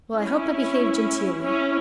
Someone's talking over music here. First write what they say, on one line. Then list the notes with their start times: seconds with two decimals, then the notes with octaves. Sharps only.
"Well, I hope I behave genteely?"
0.17 C#4 E4
1.42 C#4 E4